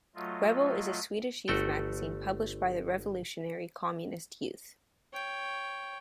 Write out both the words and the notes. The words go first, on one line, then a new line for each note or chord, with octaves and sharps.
Rebell is a Swedish youth magazine published by the Revolutionary Communist Youth.
F#3 A3 F4 D#5
G1 A3 F#4 A4 G5
C#5 G5